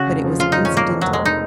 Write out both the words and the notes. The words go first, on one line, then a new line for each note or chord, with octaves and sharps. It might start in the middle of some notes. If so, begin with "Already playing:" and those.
But it was incidental.
Already playing: C#3 F#4
F1
F3
C#3 F4
F1 D#4
C#4
F1 A#3
F2
F1 F#3
G#3
D#4